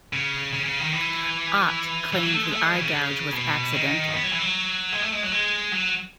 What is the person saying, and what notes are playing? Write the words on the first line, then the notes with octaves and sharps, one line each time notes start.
Ott claimed the eye gouge was accidental.
C#3
C#3
C#3
D#3
E3
E3
F#3
A3
G#3
A3
G#3
E3
C#3
B2
D#3
B3
F#3
E3
F#3
G#3
A3
G#3
F#3
G#3
F#3